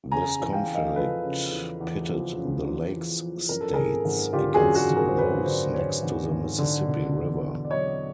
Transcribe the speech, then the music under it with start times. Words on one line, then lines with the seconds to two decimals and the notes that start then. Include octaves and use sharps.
This conflict pitted the lakes states against those next to the Mississippi River.
0.11 C#3 G#5 A#5
0.40 E2
0.53 F5 G5
0.68 E2
0.74 D#5 F5
0.95 F3 A4 B4
1.24 C#3
1.52 E2
1.81 E2
2.08 F3
2.37 C#3
2.65 E2
2.93 E2
3.22 F3
3.49 F#2 A#4
3.61 A4
3.74 G#1 G#4 A#4
4.05 G#1
4.33 D3 F4 G4
4.54 F#4 G#4
4.62 F#2
4.75 F#4 G#4
4.90 G#1
4.97 G#4 A#4
5.08 C5
5.17 G#1 B4 C#5
5.45 D3 C5 D5
5.74 F#2 B4 C#5
6.03 G#1
6.31 G#1
6.58 D3
6.87 B2
7.15 E2
7.43 E2
7.65 D5
7.71 F#3 C#5 D#5